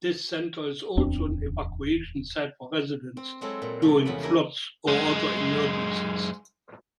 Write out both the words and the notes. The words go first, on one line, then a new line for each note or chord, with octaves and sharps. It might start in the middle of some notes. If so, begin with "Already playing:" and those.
This center is also an evacuation site for residents during floods or other emergencies.
D1 E2 C4 D4
C4
F#3 G#3 C4 E4 A4
A#2
C3 F3 G#3 A3
E2 C#3 F#5 B5
D4 E4 G4 G#4 A#4 D#5
F#2 G#3